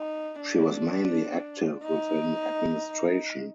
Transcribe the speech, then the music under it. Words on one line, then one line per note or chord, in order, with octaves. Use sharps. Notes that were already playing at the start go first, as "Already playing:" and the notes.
She was mainly active within administration.
Already playing: D#4
D4
D#4